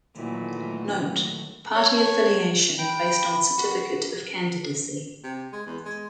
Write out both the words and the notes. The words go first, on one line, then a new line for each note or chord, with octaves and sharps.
Note: Party affiliation based on Certificate of Candidacy.
A#2 D#3 E3 F#3 A3
C#5 A5
F4
G5 B5
F#4
C3
G#3
E2
G#3